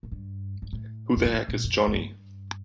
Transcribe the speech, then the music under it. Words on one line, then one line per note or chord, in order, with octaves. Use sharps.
Who the heck is Johnny?!
A2
G2
G2
A2
F2
G2
A2
A#2
F2
F2
G2